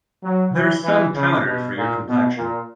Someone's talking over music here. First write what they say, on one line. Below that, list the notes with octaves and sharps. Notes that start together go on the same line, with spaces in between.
There's some powder for your complexion.
F#3
E3
E3
C#3
B2
A#2
B2
A#2